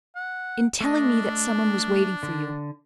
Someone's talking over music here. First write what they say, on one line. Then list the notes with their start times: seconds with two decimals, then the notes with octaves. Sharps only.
"In telling me that some one was waiting for you."
0.16 F#5
0.81 A3 D4 D#5
2.23 D3